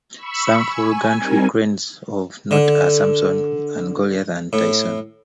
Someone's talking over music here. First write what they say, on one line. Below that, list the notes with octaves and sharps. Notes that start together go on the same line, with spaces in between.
Some full gantry cranes of note are Samson and Goliath and Taisun.
B5 C#6 E6
G#5
G3 C4 D#4 A#4 G#5
D3
A2